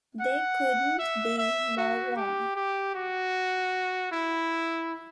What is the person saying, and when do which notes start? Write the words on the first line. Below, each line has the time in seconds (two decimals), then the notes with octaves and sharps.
They couldn't be more wrong.
0.21 F#5
0.99 E5
1.38 E5
1.77 F#4
2.16 G4
2.56 G4
2.95 F#4
4.12 E4